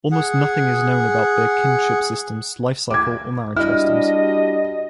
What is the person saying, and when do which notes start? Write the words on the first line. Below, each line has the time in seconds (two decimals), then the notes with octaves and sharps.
Almost nothing is known about their kinship systems, life cycle, or marriage customs.
0.12 G#4 F#5
2.90 D6 G#6
3.56 G3 D4 E4 F#4 D#5 F6